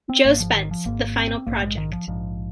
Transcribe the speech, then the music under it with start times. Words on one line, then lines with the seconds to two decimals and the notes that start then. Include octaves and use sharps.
Jo Spence: The Final Project.
0.10 C4
0.24 G#1 G#2 A#3
0.40 F3
0.55 D#3
0.71 F3
0.85 G#1 G#2 A#3
1.17 C4
1.47 A#1 G#2 A#3
1.62 G#3
1.78 D#3
1.93 F3
2.08 A#1 G#2 F3